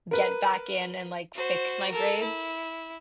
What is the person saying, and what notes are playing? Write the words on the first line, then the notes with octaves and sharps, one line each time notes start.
get back in and, like, fix my grades
A#4 B4
F#4 C5
A4 A#4
E4